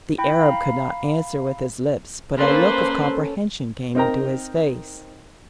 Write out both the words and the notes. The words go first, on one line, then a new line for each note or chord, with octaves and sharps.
The Arab could not answer with his lips, but a look of comprehension came into his face.
E4 G5 B5
F5 A#5 B5
A#3 C#4 A4 B4 C5 C6
C4 D#4 A#4 G5 A#5